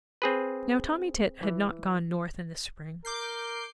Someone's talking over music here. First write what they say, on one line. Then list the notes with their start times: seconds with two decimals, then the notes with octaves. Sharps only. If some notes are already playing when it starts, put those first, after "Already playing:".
Now Tommy Tit had not gone north in the spring.
0.22 C4 G#4 B4
1.43 E3
3.05 A#4 D6 G6 C7